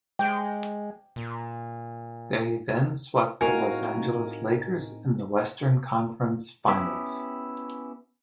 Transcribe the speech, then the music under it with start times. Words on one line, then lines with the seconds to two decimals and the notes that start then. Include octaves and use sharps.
They then swept the Los Angeles Lakers in the Western Conference Finals.
0.19 G#3 G5
1.16 A#2
3.41 A2 C4 D#4 F#4 A#4 F5 G#5
6.68 B3 C#4 E4 G4